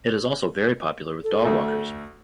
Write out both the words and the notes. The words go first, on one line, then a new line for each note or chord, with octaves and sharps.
It is also very popular with dog walkers.
A4
D2 A3